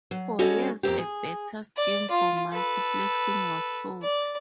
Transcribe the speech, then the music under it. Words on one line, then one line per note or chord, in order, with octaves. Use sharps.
For years a better scheme for multiplexing was sought.
F#3
G3 C#4 F#4 A4 C#5 D#5
F2 A#3 C4 G4
G#4
D5
F4
A4 B4
D5